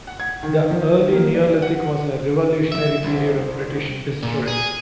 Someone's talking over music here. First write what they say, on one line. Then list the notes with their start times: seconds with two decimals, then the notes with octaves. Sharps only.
The Early Neolithic was a revolutionary period of British history.
0.07 F#5
0.20 G#6
0.43 D#3
0.71 F3
0.99 D#3
1.12 A#3
1.34 D5
1.47 E3
1.62 F#5
2.72 E5
3.03 C2
4.23 A#2
4.48 G#4